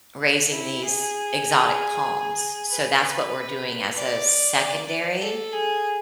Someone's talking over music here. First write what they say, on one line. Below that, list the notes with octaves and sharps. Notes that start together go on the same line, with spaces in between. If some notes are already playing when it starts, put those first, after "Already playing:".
raising these exotic palms, so that's what we're doing as a secondary.
D4
E4
G#4
B4
D5
A4
G#4